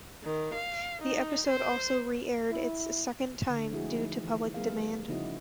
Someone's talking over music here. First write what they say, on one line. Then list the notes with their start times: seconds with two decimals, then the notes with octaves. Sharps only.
The episode also re-aired its second time due to public demand.
0.24 D#3
0.55 F5
1.02 D#4
1.47 C5
2.51 E4
3.50 D3
3.71 F3 G#3 A3 E4 F#4 G#4
3.96 F3 D#4
4.21 E3
4.54 G3 A3 B3 G#4 A#4 F5
5.08 C#3 F3 D#4 E4 F#4 D#5